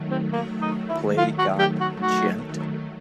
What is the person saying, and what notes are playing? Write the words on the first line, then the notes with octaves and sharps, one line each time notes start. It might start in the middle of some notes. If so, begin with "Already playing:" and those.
Play Got Djent?
Already playing: D#3 F#3 A3
C4
A#3
D#4
E4
F4
F#4
G4
F#4
F#4